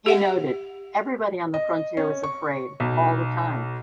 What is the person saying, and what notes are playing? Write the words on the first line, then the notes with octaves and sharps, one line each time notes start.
He noted: Everybody on the frontier was afraid, all the time.
G4 E5 F#5
D#5
C#4
C#6
B1